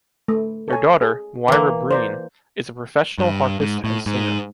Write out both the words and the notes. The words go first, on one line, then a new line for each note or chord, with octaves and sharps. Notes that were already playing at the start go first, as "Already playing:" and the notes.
Their daughter, Moira Breen, is a professional harpist and singer.
A3
A4 C#5 G#5
G#4
E3 A#3
C5 D5 A#5
G2
G#2
A2
G#2